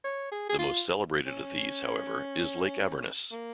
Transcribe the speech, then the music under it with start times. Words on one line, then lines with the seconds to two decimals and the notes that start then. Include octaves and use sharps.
The most celebrated of these, however, is Lake Avernus.
0.04 C#5
0.32 G#4
0.49 G#4
0.59 F4
1.27 C#4
3.31 A#3